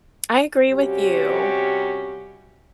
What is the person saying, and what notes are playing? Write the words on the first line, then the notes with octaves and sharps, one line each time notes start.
I agree with you,
C3 G3 C#4 F#4 G4